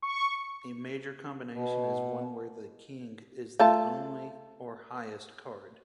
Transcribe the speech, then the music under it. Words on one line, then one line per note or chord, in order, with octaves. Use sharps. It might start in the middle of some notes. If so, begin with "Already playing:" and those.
A "major" combination is one where the King is the only or highest card.
C#6
B2
A3 F4 A5